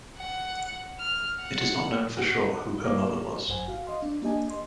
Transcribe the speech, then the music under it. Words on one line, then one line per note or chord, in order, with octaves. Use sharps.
It is not known for sure who her mother was.
F#5
F6
F#5
F#4
A#3
G#1 F#2 C5 F#5 G#5
F#4 F5
D#5 F5 C6
D4
A#3 D4 G4 D#5 G#5 A5
D#5 C6